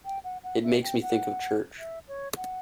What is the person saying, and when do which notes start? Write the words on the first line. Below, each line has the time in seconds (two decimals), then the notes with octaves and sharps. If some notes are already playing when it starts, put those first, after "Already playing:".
It makes me think of church.
0.05 G5
0.24 F#5
0.44 F#5
0.63 E5
0.83 G5
1.02 F#5
1.79 E5
2.08 C#5
2.37 F#5